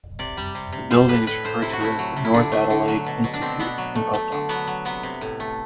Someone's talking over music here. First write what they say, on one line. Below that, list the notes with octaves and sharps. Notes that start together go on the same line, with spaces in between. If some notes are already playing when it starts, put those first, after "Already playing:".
The building is referred to as the North Adelaide Institute and Post Office.
C3 D5
G3
C3
C3
G3 C5
A2 B4
A2 B4
A2 C5
C3 E4
F#4
A3 E4
F#3
C3
E4
D3 D4
A3
D3
F#3
B2
B2
D4
B2 C4
B2 B3
F#3
A3
A3
D3
F#3 B3
F#3
C3 B3
C3
A2
A3